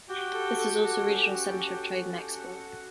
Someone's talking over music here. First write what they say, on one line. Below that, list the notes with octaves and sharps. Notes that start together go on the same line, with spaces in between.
This was also a regional center of Trade and Export.
F#4 G4 G5
A4
A4
F#4
C#4
A4
F#4 G4 G5
C#4
A4
G4 G5
F#4 F#5
F#4